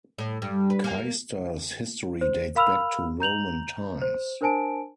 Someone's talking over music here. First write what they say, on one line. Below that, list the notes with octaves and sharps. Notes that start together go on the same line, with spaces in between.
Caister's history dates back to Roman times.
A2
G2
B4
A#3
C5
A#4 F5 B5 E6 F6 F7
A#5 G6 F7 F#7
C5
D4 A#4 C5 G#5 A5 D7